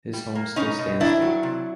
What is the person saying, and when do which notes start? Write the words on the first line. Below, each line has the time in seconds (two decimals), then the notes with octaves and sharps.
His home still stands there.
0.13 G3
0.35 A#3
0.56 B2 C#4 D#4
0.79 B2
1.00 D#3 D4 E4
1.22 F#3
1.43 C3